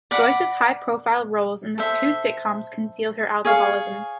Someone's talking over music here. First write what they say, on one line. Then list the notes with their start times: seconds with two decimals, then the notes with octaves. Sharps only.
Joyce's high-profile roles in the two sitcoms concealed her alcoholism.
0.11 D5 F#5 B5
1.78 A4 C5 E5
3.45 G#4 C#5 F5